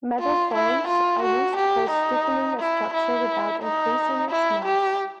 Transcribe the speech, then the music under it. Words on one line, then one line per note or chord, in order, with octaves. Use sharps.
Metal foams are used for stiffening a structure without increasing its mass.
F4
E4
F4
F#4
G4
D#4
E4
E4
D#4
E4
G4